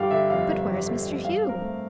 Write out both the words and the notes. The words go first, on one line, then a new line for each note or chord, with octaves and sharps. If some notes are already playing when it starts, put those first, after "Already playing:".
"But where is Mr. Hugh?"
Already playing: G1 G3 F5 G5
D3 E5
F2 F5
G1
G3
D3
F2
G2 F5
C4
A#4
A3